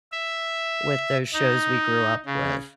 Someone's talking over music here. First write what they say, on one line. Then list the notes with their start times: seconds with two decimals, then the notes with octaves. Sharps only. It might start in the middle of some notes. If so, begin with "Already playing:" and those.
with those shows we grew up with,
0.12 E5
1.33 D#4
2.26 C#3